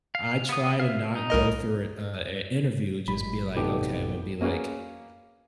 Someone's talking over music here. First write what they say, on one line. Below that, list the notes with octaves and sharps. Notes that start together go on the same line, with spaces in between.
I try to not go through a an interview, just be like, okay, Imma be like,
F5
B3 D#6
E5 F5
D#4
C2 A#4 D#5
G#1 A#2 F#3 G#3 B5
A1 C3 F#3 A3 B3 D#4 G4
A#3 C#4 F#4 G#4 B4